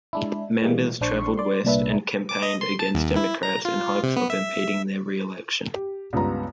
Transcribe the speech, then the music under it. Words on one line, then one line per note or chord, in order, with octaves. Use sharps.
Members traveled west and campaigned against Democrats in hopes of impeding their reelection.
G#3 D4 E4
E3 G3 G#3 A#3
A#1 D4 C5 C6 C#6
D5 C6
C2 A#2 D4 B4 E5
D6
D#5
C6
A5
D#2
E4
A#5
F4
C3
B3
E5
G4
C#2 G2 B3 F4 A#5